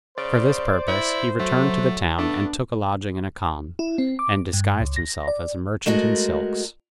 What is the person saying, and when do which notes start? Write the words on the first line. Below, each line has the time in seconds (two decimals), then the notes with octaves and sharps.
For this purpose he returned to the town and took a lodging in a khan, and disguised himself as a merchant in silks.
0.18 C#3 C5 D5
0.88 E4
1.40 F#3 A3
2.18 A3 B3 D4
3.79 E4
3.98 C4
4.19 D6
4.53 G2
4.81 C#2
4.96 A#6
5.28 D5
5.86 G#3 A3 F#4 A#4